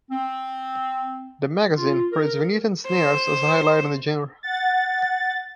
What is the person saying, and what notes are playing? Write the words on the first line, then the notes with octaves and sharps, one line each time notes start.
The magazine praised Venetian Snares as a highlight in the genre.
C4
F4
A#4
C5
F#5 A6